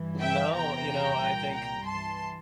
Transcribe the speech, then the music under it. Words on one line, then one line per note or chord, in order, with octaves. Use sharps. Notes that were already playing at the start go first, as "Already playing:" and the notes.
N no, you know, I think
Already playing: G2 E3
E5 G5
E2 C3 E3 G5 A#5
C2 A#2
G5 A#5
G2 E3 A5 C6